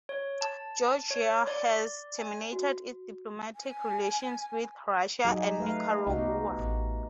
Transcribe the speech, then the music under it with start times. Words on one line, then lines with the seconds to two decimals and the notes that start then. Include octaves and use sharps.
Georgia has terminated its diplomatic relations with Russia and Nicaragua.
0.09 C#5
0.41 A5
1.11 C#5
1.47 D5
2.19 G#5
2.53 F#4
3.55 G#5
5.25 F#3 D#4 G4 G#4
5.58 A3 B4 F5
6.07 C2 D#4 F#4 G4
6.18 B3
6.59 A1